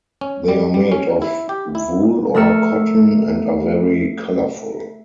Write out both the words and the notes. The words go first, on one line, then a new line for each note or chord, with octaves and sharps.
They are made of wool or cotton and are very colorful.
C#4
G3
G3
C#4
E4
G4
E4
A3 A#4 E6 F6 C#7